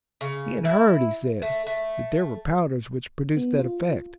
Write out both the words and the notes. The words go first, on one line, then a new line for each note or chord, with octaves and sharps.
He had heard, he said, that there were powders which produced that effect.
C#3
E4
A3
A3
B3
F4